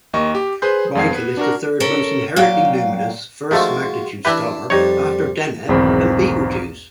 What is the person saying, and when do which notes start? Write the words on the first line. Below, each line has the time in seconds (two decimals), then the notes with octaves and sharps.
Rigel is the third most inherently luminous first magnitude star after Deneb and Betelgeuse.
0.14 D#2 A#3 D#5 C#6
0.35 G4
0.62 G#4 B4 C5 C6 G6
0.95 F2 G#3 F5 G#6 C7
1.11 B3 B4
1.37 D4 F#4 A#4
1.80 C#4 A4 A#4
2.36 A#2 F#3 F5 G5
3.51 D#3 F3 G#3 A3 F4 F#4
4.25 E3 D4 E4 G4 B4
4.70 F2 G3 D#4 C#5
5.69 B1 E2 G#2 D#3 C4 B5